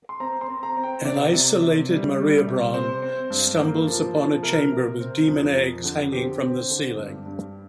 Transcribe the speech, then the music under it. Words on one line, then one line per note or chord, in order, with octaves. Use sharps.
An isolated Mariabronne stumbles upon a chamber with demon eggs hanging from the ceiling.
C6
C4 A#5
C6
C4
A#5
C4
G5
C3 D5
C3
C3
G3
G3
C3
C4 C5
C4
G2
A#3
F3
F3
C3 A#4
C3
C4
F2
F2
D3
C4 G4
C4
D3
G2
G2